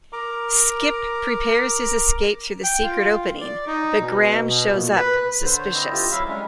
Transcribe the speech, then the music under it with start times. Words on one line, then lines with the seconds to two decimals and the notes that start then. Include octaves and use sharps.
Skip prepares his escape through the secret opening, but Graham shows up, suspicious.
0.13 A#4 A#5 D6
2.64 G5
2.83 F4
3.41 D5
3.67 D#4
4.00 B2
4.48 B2
4.73 A#2
4.96 B4
5.44 D3 C5
5.58 C#5
5.74 C4 E4 D#5
5.92 F4 G4
6.11 F#3 E4 E5 F5
6.28 G3 G#3 C#4